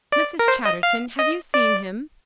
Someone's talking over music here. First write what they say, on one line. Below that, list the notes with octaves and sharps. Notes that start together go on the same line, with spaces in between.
"Mrs. Chatterton, have you seen him?"
D5
A#4
C5
D#5
F5
D#5
D5